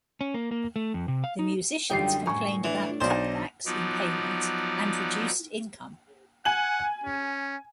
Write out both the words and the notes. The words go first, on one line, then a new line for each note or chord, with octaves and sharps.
The musicians complained about cutbacks in payment and reduced income.
C#4
A#3
A#3
A3
F2
C3
F5
D#4
F#2 D3 G3 D#4 F4 G4 G5 C7
A2 A#4 G#5 C#6
E3 D4
B1 D4 D#4 C5 D5
F3 F#3 B3 D#4 D5
F#5 G#5 F#7
C#4